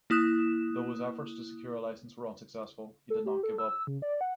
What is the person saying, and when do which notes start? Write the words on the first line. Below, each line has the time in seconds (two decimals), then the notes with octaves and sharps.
Though his efforts to secure a license were unsuccessful, he did not give up.
0.10 A#3 E4 D#6 F#6 E7
3.10 A4
3.26 G4
3.43 A4
3.58 E6
3.87 C#3
4.02 D5
4.21 F#5